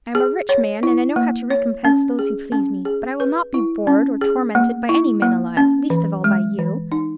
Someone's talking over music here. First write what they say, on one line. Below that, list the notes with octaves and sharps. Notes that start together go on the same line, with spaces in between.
I am a rich man, and know how to recompense those who please me: but I will not be bored or tormented by any man alive: least of all by you.
G#4
C#5
E4
A#3
C#5
C#4
G#4
C#4
G#4
B4
E4
C#4
G#4
A#3
E4
A#3
C#4
E3
G#3
E3
D#4